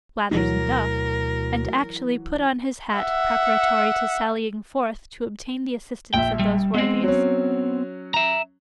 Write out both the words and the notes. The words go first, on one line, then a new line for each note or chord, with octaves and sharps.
Blathers and Duff; and actually put on his hat preparatory to sallying forth to obtain the assistance of those worthies.
D2 B2 E3 F#3 A#4
E5 F#5
A#1 E5 G5
G3
G#3 B3 C4
F#3 C#4
E5 A#5